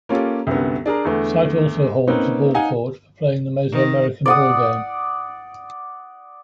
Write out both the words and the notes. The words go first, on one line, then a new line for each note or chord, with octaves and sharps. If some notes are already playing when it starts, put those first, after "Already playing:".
The site also holds a ballcourt for playing the Mesoamerican ballgame.
A#3 C#4 F4 G4 A4
C2 F#2 D3 B3
D4 G#4 A#4 A#5
E2 D3 A3 B3
A#3 C4 C#4 D#4 B4
D#4 F5 F#5 G#5
D#3
D5 F#5 D#6